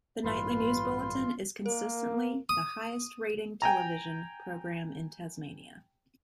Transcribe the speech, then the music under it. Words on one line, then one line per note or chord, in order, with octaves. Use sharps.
The nightly news bulletin is consistently the highest rating television program in Tasmania.
A1 G2 F4 B4 C6
A#3 A#4
D#6
G5 G#5 A#5